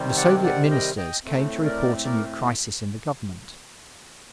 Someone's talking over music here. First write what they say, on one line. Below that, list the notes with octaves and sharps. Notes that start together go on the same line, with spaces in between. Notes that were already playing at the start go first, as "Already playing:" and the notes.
The Soviet ministers came to report a new crisis in the government.
Already playing: C3 D#3 G3 C4
D5 F#5
D5 F#5
D#5 G5
D#5 G5
A2 A3 C4
A#4 D5
A#4 D5